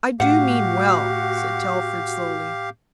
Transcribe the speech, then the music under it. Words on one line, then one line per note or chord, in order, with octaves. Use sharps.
"I do mean well," said Telford slowly.
A2 F#4 G4 F5 F#5